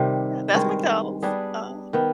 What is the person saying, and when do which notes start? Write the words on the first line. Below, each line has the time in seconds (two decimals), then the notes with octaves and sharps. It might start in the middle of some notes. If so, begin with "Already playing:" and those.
that's McDonald's, uh-huh.
Already playing: C3 D#3 G3
0.54 G2 D#3 G#3
1.22 G3 B3 D4 G#4
1.93 D#3 B3